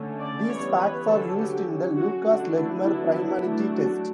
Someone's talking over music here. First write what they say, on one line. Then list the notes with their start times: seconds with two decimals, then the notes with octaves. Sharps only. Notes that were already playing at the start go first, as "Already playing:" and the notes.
These facts are used in the Lucas-Lehmer primality test.
Already playing: D3 A3 C#4
0.19 D5
0.48 E3 G3 B3 C#5
0.78 B4
1.07 D3 F#3 C#4 A4
1.36 G4
1.66 F#3 C#4
1.95 F#4
2.25 D3 A3 D4 F#4
2.55 E4
2.83 D3 F#3 B3 D4 E4
3.13 E4
3.42 F#3 A3 D4
3.72 F#4